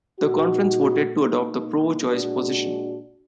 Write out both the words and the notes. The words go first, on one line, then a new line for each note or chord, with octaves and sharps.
The conference voted to adopt the pro-choice position.
A#2 G#3 D#4 F#4
B2 A#3 D#4
A#2 G#3 D4 F#4